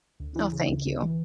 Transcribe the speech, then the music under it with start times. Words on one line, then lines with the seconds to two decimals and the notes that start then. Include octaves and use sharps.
Oh, thank you.
0.20 D2
0.36 E3
0.53 C#3
0.69 D2
0.86 D2
1.02 E3